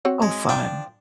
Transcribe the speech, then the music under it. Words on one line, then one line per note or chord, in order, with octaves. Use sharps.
Oh, fun.
C4 F#4 C#5
G#3
F3 D4 G5